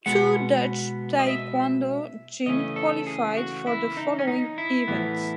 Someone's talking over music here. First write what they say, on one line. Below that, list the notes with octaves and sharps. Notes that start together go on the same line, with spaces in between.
Two Dutch taekwondo jin qualified for the following events.
B2 G#3 B3 F#5
D#5
E5
C#3 E3 A3 C#4 D#5
A4
G#4
F#4
E4
D#4
C#4
D#4
E4
A2 E3 B3